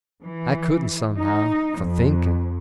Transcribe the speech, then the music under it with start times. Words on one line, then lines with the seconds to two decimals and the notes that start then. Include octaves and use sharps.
I couldn't, somehow, for thinking.
0.24 E3
1.18 D#4
1.79 F2